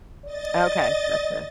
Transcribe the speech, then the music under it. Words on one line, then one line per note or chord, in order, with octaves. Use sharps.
Okay. Gotcha.
D5 D#5 A6